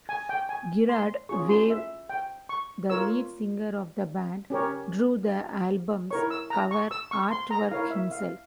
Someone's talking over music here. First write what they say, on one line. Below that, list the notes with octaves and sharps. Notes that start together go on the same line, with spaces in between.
Gerard Way, the lead singer of the band, drew the album's cover artwork himself.
G#5
G5
G#5
C6
C#4 F4 G#4 C#6
C6
E5
G5
C#6
F4 A#4 C#5 E6
C#4 G4 A#4 C#5
E4 A#4 C#5 C#6
E6
A#5
C#6
E6
C#6
C6
A#5
E4 A#4 C#5 F5
E5
F5